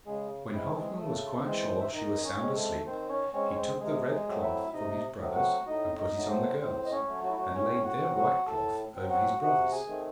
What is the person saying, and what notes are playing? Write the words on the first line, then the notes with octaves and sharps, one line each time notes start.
When Halfman was quite sure she was sound asleep, he took the red cloth from his brothers and put it on the girls, and laid their white cloth over his brothers.
C#3 G#3 G#4
E3 G#3 C4 E4
A4
G#3 G#4
C#3 A3 A4
E3 G#3 C4 C5
E5
D#3 D#4 D#5
C#4 C#5
G#3 C4
A3 A4
D#3 C4 C5
C#4 C#5
G#3 C4 C#4 C#5
C#5
C4 C5
C3 G#3 G#4
G#3 G#4
F#3 A3 C4
E4 E5
C3 D#4 D#5
F#3 A3 C4
F#4 F#5
A2 D#4 D#5
D#4 D#5
F#3 A3
C4 C5
A2 C4 C5
D#5
C#4 C#5
F#3 A3
F#4
E4
F#3 F#4
A2 C#4 C#5
F#4 F#5
F#3 C4
F#4 F#5
A2 A4 A5
F#3 C4
F#4 F#5
C3 F#4 F#5
G#4 G#5
D#3 A3 C4